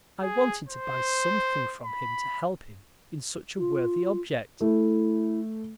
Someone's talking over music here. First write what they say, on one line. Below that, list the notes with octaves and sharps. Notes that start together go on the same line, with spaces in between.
I wanted to buy something from him to help him in such a worthy object.
G#4
C5
B5
F4
A3 E4